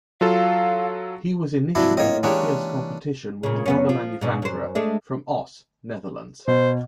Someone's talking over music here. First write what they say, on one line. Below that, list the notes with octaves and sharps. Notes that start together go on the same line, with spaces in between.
He was initially in fierce competition with another manufacturer from Oss, Netherlands.
F#3 F4 A4 F5
G#2 C3 F3 F#3 D4 E4
A2 A#3 F4 C#5 D#5
E3 G#3 A#3 C#4 D4 G4 C#5
A#2 C#3
F#2 B3 C#4
F3
G#2 B2 D4
F#2 C5
G#3 A3 D4
B2 C5